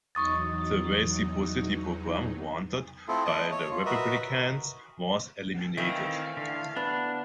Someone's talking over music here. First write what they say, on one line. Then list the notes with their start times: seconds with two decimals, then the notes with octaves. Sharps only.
The reciprocity program wanted by the Republicans was eliminated.
0.15 E2 F#3 D#4 C#6 D#6 A6
3.08 A3 C4 E4 F4 A4
3.25 D#5 A5
3.51 C#5
3.71 F4
3.85 F#4 A#4 B4 D#5 E5
5.77 D#3 E3 A3 C4 F5
6.37 D3 F5
6.76 B3 D4